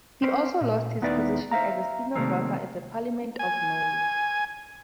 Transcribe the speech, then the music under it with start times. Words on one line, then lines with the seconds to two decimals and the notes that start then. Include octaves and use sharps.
He also lost his position as a stenographer at the Parliament of Norway.
0.22 C4 C#4 B4 C5
0.61 A#2
1.02 D#2 B3 D#4 E4 B4 D5
1.51 C5 E5 F5 A#5
2.16 C3 D#3 G3 A3 A#3 C4
3.39 G#5